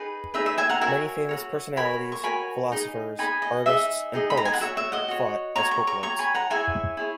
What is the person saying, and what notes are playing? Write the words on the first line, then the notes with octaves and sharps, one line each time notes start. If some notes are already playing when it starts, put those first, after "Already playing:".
Many famous personalities, philosophers, artists, and poets fought as hoplites.
Already playing: D#4 G#4 B4
D#4 G#4 B4 E5
E5
E5 G#5
F#5 A#5
F#4 A#4 C#5 E5 G#5
F#4 A#4 C#5
F#4 A#4 C#5 G#5 B5
C#6
F#4 A#4 C#5 G#5 B5
D#4 G#4 D#5
D#4 G#4 D#5 G#5 B5
D#5
D#4 G#4 D#5 E5
D#4 G#4 D#5
B5
A#5
G#5
F#5
F#4 C#5 E5
E5
D#5 F#5
F#4 C#5
F#4 C#5 A#5 C#6
A#5 C#6
A#5 C#6
F#4 C#5 A#5 C#6
G#5 B5
F#5 A#5
E4 G#4 C#5 E5 G#5
E4 G#4 C#5